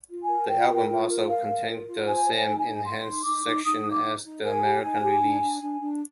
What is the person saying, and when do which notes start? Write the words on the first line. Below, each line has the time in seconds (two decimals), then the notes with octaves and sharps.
The album also contained the same enhanced section as the American release.
0.10 F4
0.22 G#5
0.29 A#4
0.49 F4 G5
0.69 A#4
0.75 G5
0.89 F4
1.08 A#4
1.27 A#4 F5
1.47 A#4
1.67 F4
1.87 F4
2.06 C5 G#5
2.26 C5
2.33 G#5
2.46 D#4
2.59 G#5
2.66 D#4
2.85 D#4 C6
3.05 D#4
3.24 D#4 D6
3.45 D#4
3.64 D#4 D#6
3.85 D#4
3.91 D6
4.04 D#4
4.24 D#4
4.43 A#4 G#5
4.63 G4
4.83 D#4
5.02 G4
5.22 D4
5.41 D4
5.62 D4
5.81 D4